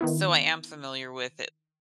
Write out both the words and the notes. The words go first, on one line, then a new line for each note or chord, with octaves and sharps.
So I am familiar with it
D#3 B3 E4